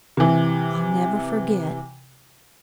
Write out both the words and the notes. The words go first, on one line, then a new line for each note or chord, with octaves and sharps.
I'll never forget.
C3 E3